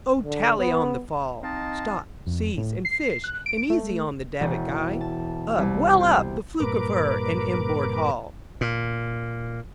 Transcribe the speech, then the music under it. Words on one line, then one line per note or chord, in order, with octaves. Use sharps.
O tally on the fall! Stop, seize, and fish, and easy on the davit-guy. Up, well up, the fluke of her, and inboard haul!
D3
B3
C4 D#4 D#5 F5 A5
F2
A2
C7
F#6
D7
A3
E1
A5
C2
C4
G2 A#2 A#4 B4 D6
A#2